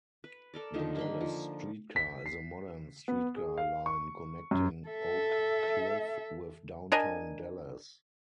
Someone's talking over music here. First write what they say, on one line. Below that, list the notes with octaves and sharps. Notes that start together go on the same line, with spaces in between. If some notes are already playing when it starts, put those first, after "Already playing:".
The Dallas Streetcar is a modern-streetcar line connecting Oak Cliff with downtown Dallas.
B4
A4 A#4 D5
D3 D#3 F3 D#4
A#3 B5 C6
F3
B6
C7
B3
G#4
F5
C#6
F#2
A4 E5
D4 A#4 D#5 G#5